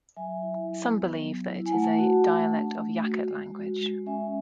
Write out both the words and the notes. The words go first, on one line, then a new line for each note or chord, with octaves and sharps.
Some believe that it is a dialect of Yakut language.
F#3 E5 G#5
E4
F#3
B3
F#3
E4
G#5
A3 F#5 A5
F#4
A3
D4
A3
F#4
G#3
F#4
G#3
C#4 E5 G#5